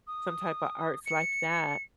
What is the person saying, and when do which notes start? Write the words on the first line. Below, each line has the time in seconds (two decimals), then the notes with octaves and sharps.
some type of arts like that.
0.07 D#6
1.06 C#7